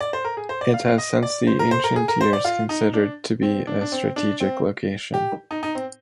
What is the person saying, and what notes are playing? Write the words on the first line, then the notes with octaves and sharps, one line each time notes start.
It has since the ancient years considered to be a strategic location.
D5
C5
A#4
G#4
C5
D5
F5
F5
D#5
D5
C5
A#4
C5
A#4
G#4
A#4
C5
D5
F4
D#4
D4
C4
D4
D4
C4
D4
C4
G4
D#4
D#4
C4